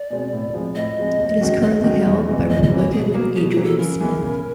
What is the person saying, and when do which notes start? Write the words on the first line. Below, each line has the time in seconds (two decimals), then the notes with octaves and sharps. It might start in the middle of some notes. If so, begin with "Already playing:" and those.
It is currently held by Republican Adrian Smith.
Already playing: D5
0.10 B2 G#3 C4
0.33 A2
0.54 F3 G#3 C4
0.75 A2 D#5
0.97 F3 G#3 C4
1.19 D#2
1.41 D#3 G#3 C#4 F#4
1.62 D#2 D#5
1.84 D#3 G#3 C#4 F#4
2.05 E2
2.28 C3 E3
2.49 E2 D#5
2.63 D#5
2.71 C3 E3
2.78 C#5
2.92 B2 G#4
3.14 F#3 A#3
3.35 B2 G4
3.50 G#4
3.57 F#3
3.62 A#3 A4
3.79 C#3 A#4
4.00 E3 G#3 B3
4.22 C#3